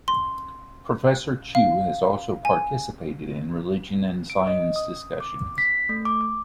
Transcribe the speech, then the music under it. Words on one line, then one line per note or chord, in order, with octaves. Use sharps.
Professor Chew has also participated in religion and science discussions.
C6
F5
G#5
D7
D#5
D#6
D6
B6
A3
D6
D6